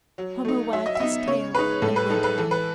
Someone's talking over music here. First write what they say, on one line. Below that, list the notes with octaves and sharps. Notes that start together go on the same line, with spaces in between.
Homo wagged his tail, and went on.
F#3
A3 D#4
F#3 E5
D#5
E5
B3 D#4 D#5
C#3 C#5
G#3 D#4 B4
A2 A4
B4
G#3 D#4 A4
B4
E3 A4
B4